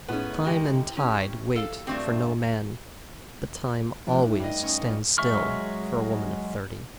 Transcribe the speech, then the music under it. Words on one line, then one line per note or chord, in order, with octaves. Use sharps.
Time and tide wait for no man--But time always stands still for a woman of thirty.
A2 G#3 B3 C#4 D#4
D3 D#3 G#3 E4 G4 G5
C#4
A4 F5
G2 A3 C4 F4 F#4
A2 F3 D4
D#4
G2 D#5
C#4 C#6 D#6
A#2
F#3 G#3 E5 C#6 F6